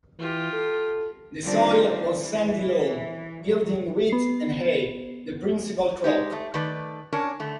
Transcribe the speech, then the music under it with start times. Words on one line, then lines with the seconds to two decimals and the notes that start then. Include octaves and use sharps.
The soil was sandy loam, yielding wheat and hay, the principal crop.
0.19 E3 F4 G4
0.53 A4
1.44 D3 D#3 F3 G3 C4 D4
2.16 E3
3.44 G2 F#3
4.10 B3 C7
6.04 G#3 D#4 G4
6.32 A3
6.54 D#3 A3 B4 D5
7.12 C#4 D4 A#4 C#5
7.40 D3 A3